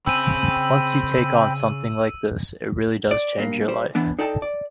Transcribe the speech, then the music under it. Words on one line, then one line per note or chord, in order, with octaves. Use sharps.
Once you take on something like this, it really does change your life.
C#3 C4 G5 G#5 B5 E6 D#7
D5
G2 A#3
G3 C5
E3 B3 D4
D#4 A4 D5 D#5 G5 A5
D5